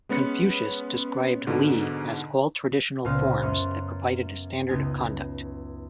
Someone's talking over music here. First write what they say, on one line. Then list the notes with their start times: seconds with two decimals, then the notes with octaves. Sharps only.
Confucius described "Li" as all traditional forms that provided a standard of conduct.
0.09 G#3 B3 C#4 B4 C#7
1.47 G#2 B2 D3
3.05 C#2 A#2 B3 C5 F5 F6
3.42 F#2 B3 C#4 C6
4.68 C#2 B3 D#4 G#5